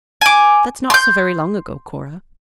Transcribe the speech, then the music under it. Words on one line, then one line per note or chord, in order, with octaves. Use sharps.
"That's not so very long ago, Cora."
G#5 D6
C6 G6